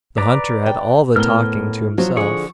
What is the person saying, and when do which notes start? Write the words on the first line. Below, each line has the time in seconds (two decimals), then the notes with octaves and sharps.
The hunter had all the talking to himself.
0.18 B4 D5 A#5
0.66 G5
1.16 A2 B3 A#4 F6 G7
1.98 F3 F#3
2.17 D3 G#4 C#6